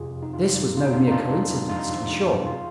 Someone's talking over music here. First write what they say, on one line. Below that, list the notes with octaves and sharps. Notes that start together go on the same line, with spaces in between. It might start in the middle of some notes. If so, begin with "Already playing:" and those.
This was no mere coincidence, to be sure.
Already playing: F2 C3 F4 G#4
F2
C3 D#4
F4
C3 D#4 G4
F3
F2 F4
D#4
F2 D4 F4
D#4
F3 D4 F4
G#3
F2
F2
F4
F3 D#4
F3
F2
C3
F3 F4 G#4